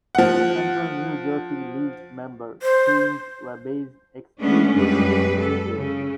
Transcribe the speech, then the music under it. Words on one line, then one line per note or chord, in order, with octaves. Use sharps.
The Central New Jersey League member teams were based exclusively in New Jersey.
F3 F#5
C5
G#3 A3 B3 C#4 D4
F#2 G3 G#3 B4
A4
C#3